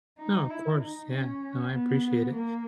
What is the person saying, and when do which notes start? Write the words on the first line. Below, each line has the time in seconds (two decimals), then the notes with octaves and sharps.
No, of course, yeah. No, I appreciate it.
0.19 D#4
0.50 E4
0.81 D#4
1.12 C#4
1.73 B3
2.35 A#3